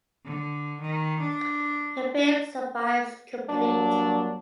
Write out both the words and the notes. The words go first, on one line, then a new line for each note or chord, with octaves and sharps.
The film survives complete.
D3
D#3
D4
G2 F#3 A#3 D4